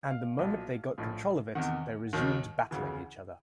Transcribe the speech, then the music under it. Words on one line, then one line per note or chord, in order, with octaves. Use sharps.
And the moment they got control of it, they resumed battling each other.
F5
B1 A#2 F3
A#1 A2 F3
E2 C3 D#3 F#5
D#2 D#3 F#3
D2 C#3 E3